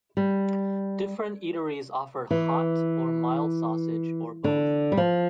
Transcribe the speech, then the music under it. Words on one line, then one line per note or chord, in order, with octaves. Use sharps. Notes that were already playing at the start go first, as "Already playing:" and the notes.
Different eateries offer hot or mild sausage, or both.
G3
E3
D3
G3
F3